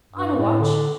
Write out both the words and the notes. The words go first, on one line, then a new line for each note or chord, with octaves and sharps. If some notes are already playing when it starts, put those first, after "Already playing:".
"On a watch."
G2
A2
D3